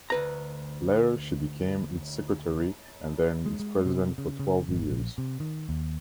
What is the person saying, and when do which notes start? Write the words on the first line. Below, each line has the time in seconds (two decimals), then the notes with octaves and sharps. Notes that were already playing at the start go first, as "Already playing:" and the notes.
Later she became its secretary, and then its president for twelve years.
0.10 D2 B4 A#5
3.46 G#3
3.60 G#3
3.86 C3
4.18 C#3
4.40 C#3
4.69 G#1
4.90 A#1
5.18 C3
5.40 D#3
5.69 D#2